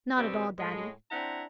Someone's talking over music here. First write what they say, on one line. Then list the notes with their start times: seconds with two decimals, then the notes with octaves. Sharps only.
"Not at all, Daddy."
0.18 B2 D#3 G3 B3 C4
0.59 A2 G#3
1.11 C4 D4 E4 F#5 A#5